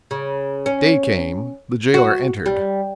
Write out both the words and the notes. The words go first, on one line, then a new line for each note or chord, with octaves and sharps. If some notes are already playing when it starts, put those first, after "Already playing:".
Day came, the jailer entered.
C#3
C#4
F#4
G3